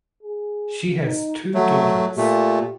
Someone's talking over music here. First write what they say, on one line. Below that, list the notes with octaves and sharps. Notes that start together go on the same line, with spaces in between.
She has two daughters.
G#4
D#4
F#3 A3 F#4
A#2 A3 G4